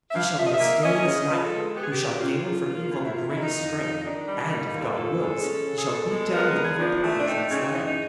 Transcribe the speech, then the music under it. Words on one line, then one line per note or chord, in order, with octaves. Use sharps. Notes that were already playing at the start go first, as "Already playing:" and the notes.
'He shall be a stainless knight, who shall gain from evil the greatest strength, and, if God wills, he shall beat down the evil powers in this land.'
E5
G2 F5
F3 E5
D#5
E5
A#3
C#4 D#5
C#3
F3 B4
A4
G#3
B3 G4
G#4
G4
C#3
F#4
C#3 F4
F3
A#3
F#2
E4
C3 F4
E4
D#3
D#4
F2
F2
D#3 D4
G3
E4
A#3 D#4
D#4
D#2
A4
F3 A4
G#3
C#4
C#3
G#4
B2 A4
G#3
B3 A#4
A#4
E2
G#4
F3 D4
A3
D4
C4 D#4
C#3
E3 D#4
D#4